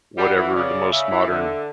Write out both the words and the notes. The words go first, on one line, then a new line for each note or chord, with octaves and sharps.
whatever the most modern,
G3 F#5
E3
C#3 D5
C#3 E5
E3
D3 E5